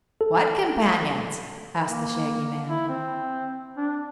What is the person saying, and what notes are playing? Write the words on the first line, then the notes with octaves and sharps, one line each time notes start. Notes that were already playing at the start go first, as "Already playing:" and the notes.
"What companions?" asked the Shaggy Man.
A4
A#3
E4
C4
D4